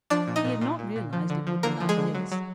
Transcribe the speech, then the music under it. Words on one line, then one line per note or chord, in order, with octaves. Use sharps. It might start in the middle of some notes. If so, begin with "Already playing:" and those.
He had not realized it would be like this.
F3 D4 D5
A#2
D#4 D#5
A#2
A#2
A#2
A#2
F3
D3
F3
D3 A#3 A#4
F3
G#3 G#4
D3
F#3
F#3